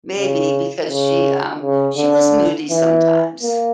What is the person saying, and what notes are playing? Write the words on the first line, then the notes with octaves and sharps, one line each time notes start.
maybe because she, um she was moody sometimes.
C#3
C#3
C#3
D3
E3
A#3